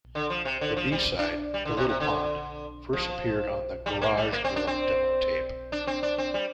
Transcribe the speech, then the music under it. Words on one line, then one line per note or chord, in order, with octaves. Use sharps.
The B-side, "The Little Pond" first appeared on the "Garage Girl" demo-tape.
D3
F3
C3
D3
F3
G3
D4
G3
D3
C3
C3
D3
F3
G3
A#3
G3
A#3
C4
D4
C4
D4
C4
D4
C4
G3